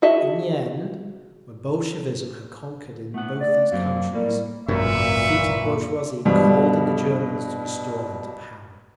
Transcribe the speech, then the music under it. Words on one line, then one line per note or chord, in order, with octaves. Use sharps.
In the end, when Bolshevism had conquered in both these countries, the defeated bourgeoisie called in the Germans to restore them to power....
F#4 G#4 D#5 E5 A5
A3 B3 F#5
D5
F#2 F#3 A#3 C4
A2 G3 A#3
G#1 C#2 F#2 A#2 B4 E5 C#6
G2 B2 D3 F3 G3